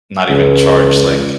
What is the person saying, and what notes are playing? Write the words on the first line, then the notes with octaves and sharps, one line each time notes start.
not even charge, like
C#2